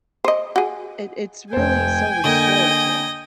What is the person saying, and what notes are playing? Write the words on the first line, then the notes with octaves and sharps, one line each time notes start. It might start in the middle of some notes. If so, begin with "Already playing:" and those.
it it's really so restorative,
C5 D#5
F#4 G#4
F1 C5 G5 G#5
D3 A#3 D#5